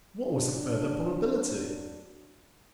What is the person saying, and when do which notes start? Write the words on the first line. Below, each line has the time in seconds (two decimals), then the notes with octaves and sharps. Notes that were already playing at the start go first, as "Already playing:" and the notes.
What was the further probability?
0.21 F#3 D4